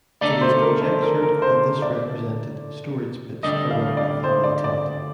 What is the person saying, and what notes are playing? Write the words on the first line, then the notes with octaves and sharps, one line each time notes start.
It is conjectured that this represented storage pits around a family tent.
D3 A3 D#4 D5
C5
A#4
C5
A#4
A#4
C5
D5
D2 D3 G3 D#5
F5
D5
C5
D5
D5